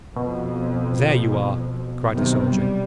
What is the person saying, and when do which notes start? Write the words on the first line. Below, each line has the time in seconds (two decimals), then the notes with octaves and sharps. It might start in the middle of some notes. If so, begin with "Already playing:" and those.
There you are!' cried the Soldier.
0.16 F2 B2
2.11 B1 C3 D#3
2.48 G3